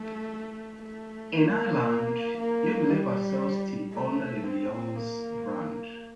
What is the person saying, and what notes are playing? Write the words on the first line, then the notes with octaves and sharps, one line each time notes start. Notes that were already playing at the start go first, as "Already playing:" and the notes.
In Ireland, Unilever sells tea under the Lyons brand.
Already playing: A3
A3
A#3
A#3
G3
A3
C4
A#3